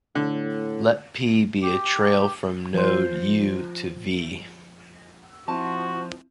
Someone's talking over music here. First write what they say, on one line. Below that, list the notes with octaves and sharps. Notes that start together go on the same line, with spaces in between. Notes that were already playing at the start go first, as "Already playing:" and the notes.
Let "P" be a trail from node "u" to "v".
A2 D3
G4
F3 C5
F3 C4 E4 F#4 A5